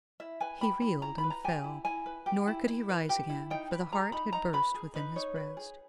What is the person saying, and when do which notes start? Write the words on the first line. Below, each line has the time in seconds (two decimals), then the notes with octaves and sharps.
He reeled and fell, nor could he rise again, for the heart had burst within his breast.
0.20 E4 E5
0.40 B4 G#5
0.61 G4 B5
0.81 E4 B5
1.02 E4 A#5
1.18 B5
1.24 B4
1.30 A#5
1.44 G4 G#5
1.64 E4
1.85 E4 G#5
2.06 B4
2.26 G4
2.47 E4
2.68 E4
2.89 B4
3.09 G4
3.29 E4
3.50 D#4 G5
3.71 B4
3.92 G#4 A#5
4.12 D#4 B5
4.33 D#4 A#5
4.53 B4 B5
4.74 G#4
4.94 D#4 B4
5.16 D#4 C#5
5.36 B4
5.57 G#4